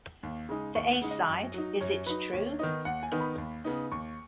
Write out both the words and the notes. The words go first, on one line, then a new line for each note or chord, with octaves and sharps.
The A-side Is It True?
D#2
C#3 G#3 D#4
D#2 C#6
F#5
C#3 G#3 D#4
D#5
F#2
F#3 D#4
F#2 C#5
F#3 D#4 B4
D#2 C#5
D#3 B3 D#4 D#5
D#2 F#5
G#5
D#3 B3 D#4
B5
D#2
C#3 B3 D#4
D#2 C#6